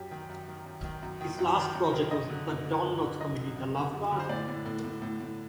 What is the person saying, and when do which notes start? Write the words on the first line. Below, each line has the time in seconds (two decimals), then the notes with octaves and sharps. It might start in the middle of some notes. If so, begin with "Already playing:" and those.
His last project was the Don Knotts comedy The Love God?
Already playing: F#2 G4
0.11 D#3
0.29 F#2
0.48 D#3
0.66 F#2
0.84 D#3
1.02 F#2
1.21 D#3
1.39 F#2
1.57 D#3
1.75 F#2
1.93 D#3
2.11 F#2 D#5
2.30 D3
2.48 F#2
2.66 D3
2.84 F#2
3.02 D3
3.21 F#2 D#5
3.39 D3
3.56 F#2
3.75 D3
3.93 F#2
4.11 D3
4.19 C5
4.29 A2 D5
4.48 A2
4.66 A2
4.84 A2
5.02 A2
5.20 A2